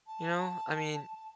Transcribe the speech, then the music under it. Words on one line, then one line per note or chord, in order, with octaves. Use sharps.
you know, I mean,
A5